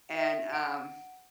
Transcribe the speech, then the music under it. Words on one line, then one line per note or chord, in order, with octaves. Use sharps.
and um
E5
F#5 D7